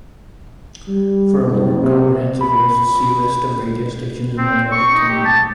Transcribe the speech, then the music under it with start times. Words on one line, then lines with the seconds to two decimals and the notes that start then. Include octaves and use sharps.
For a more comprehensive list see List of radio stations in the United Kingdom.
0.88 G3
1.46 F#1
1.82 C3
2.41 B5
4.38 C4
4.72 C#6
4.94 D#4
5.09 G4
5.25 A5